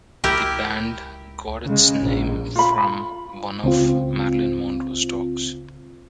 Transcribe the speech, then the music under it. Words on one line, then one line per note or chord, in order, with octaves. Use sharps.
The band got its name from one of Marilyn Monroe’s dogs.
C#2 E4 G4 A#4
C#3 G#3
A#1
F4 B5
C#2 C4 F4